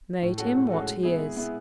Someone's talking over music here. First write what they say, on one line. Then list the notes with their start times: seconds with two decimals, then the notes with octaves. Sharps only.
Made him what he is!
0.22 A2
0.37 G#3 C#4 F#4 A4
0.54 A2
0.70 G#3 C#4 F#4 A4
0.87 G#3
1.03 B3 E4 G#4
1.20 G#3
1.37 B3 E4 G#4